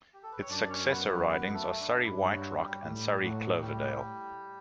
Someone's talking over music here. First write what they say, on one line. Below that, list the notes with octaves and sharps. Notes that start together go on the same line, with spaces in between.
Its successor ridings are Surrey-White Rock and Surrey-Cloverdale.
G4
A4
B4
C#5
F#2 D4 D5
D5
C#4 C#5
B3 B4
B3 B4
B3 B4
A3 A4
D4
G2 E4
F#3 F#4
G3 G4
A2 G3 G4
A2 F#3 F#4
A2 G3 G4